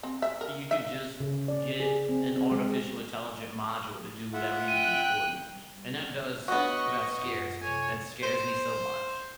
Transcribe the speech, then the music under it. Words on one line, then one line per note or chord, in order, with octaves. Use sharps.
you could just get an artificial intelligent module to do whatever you need for you? And that does well, that scares me. That scares me so much.
C4
E5
A#4
E5
C#3
D5
G#4
C4
C4
G#3
F4 E5 F#5
G5 F#6 D#7
G3
B3 D4 F#4 C#5 D#5 C#6
F#2 F4
C3 A4 C#5 G#5
C5